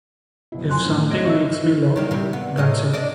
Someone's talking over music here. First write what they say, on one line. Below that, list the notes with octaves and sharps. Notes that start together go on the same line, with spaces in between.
If something makes me laugh, that's it.
F#1 B2 E4
F#1 F2 G#5 C6 F#6
A2 D3 E3 C6
F1 G#2 D#5 A#6 D7
D#5 E5 C#6 E6
D#3 G3 A#3
C3 G3
B3
A2 C3 D#5
D4 D5 D#5